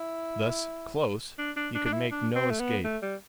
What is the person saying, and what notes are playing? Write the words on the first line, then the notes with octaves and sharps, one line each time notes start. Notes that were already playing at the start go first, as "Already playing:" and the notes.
Thus close, he could make no escape.
Already playing: E4
D4
D4
D4
D4
E4
D4
C4
A3
B3
A3
G3